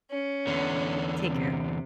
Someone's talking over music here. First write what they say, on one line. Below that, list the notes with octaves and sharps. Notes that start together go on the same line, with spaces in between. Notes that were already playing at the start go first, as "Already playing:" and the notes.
Take care.
C#4
E2 D3
C3